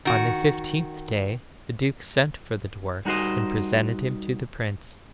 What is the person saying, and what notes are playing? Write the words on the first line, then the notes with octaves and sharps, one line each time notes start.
On the fifteenth day the duke sent for the dwarf and presented him to the prince.
D#3 F#4
G3 D#4 F#4 A#4 C5 D#5